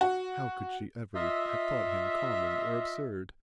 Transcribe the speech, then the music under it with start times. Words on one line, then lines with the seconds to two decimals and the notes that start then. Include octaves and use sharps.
How could she ever have thought him common or absurd?
0.01 F#4
1.15 F4 D#5 E5